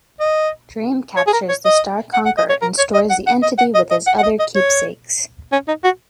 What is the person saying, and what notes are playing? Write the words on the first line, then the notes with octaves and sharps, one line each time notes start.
Dream captures the Star Conqueror and stores the entity with his other keepsakes.
D#5
C#5
G#4
A#4
C#5
D#5
F#5
F#5
D#5
C#5
A#4
C#5
D#5
F#5
F#5
D#5
F#5
D#5
D#5
F#5
F#5
D#5
D#5
C#5
C#4
D#4
F#4